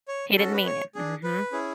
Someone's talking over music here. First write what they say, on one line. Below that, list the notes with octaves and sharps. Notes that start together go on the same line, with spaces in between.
He didn't mean it. Mhm.
C#5
C#4 F#4 A4
B4
C#5
D4 G#4
B4
C#4 E4 G#4